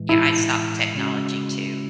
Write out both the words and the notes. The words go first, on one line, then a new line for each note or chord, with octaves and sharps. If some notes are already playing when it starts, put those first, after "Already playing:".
Yeah, I stopped technology too,
Already playing: A2 E3 G#3
E4
C#3 G#3 C#4 F#4